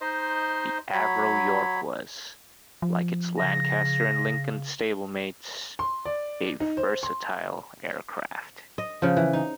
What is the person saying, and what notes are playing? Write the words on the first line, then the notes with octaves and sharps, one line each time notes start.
The Avro York was, like its Lancaster and Lincoln stablemates, a versatile aircraft.
D#4 C5 D#5 C6
F#3 C#5 B5
F3
C#3 A#6
C6
D5
D#4
C5
C6
D#5
C#3 F3
E3
D#4